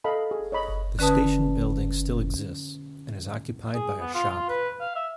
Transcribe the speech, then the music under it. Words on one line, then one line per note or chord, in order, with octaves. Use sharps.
The station building still exists, and is occupied by a shop.
A4 D#5 F5 A5 B5
G#4
C#5 D#5 B5
D3 C#4 B4 A5 D#6
G#4
B3
F4
F4
B4
F5
E5